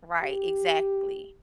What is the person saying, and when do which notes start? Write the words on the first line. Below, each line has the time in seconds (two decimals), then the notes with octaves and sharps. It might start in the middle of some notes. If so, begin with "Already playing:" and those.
right, exactly.
0.22 G4